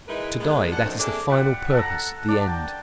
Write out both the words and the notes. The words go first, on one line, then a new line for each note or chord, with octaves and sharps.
To die, that is the final purpose, the end.
E3 G#3 D#4 E4 A#4 B4
F#3 G#3 A3 B3
F#2 A4 D5 F#5
D2 F3 C4 C#4 D#4 A#4
C3 A#3 C4 D4 G#4 A4
G3 F4 F#5
A4 F#5 A#5
D4 D5
G5